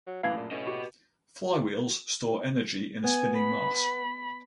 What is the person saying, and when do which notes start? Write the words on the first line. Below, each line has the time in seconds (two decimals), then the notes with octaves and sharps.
Flywheels store energy in a spinning mass.
0.07 F#3
0.23 A#1 F#2 A2 E3 F5 G#6 C7
0.37 A#2
0.51 A2 C#4 B4 D#5
0.67 F#4 G4
3.04 B3 G#5
3.39 B5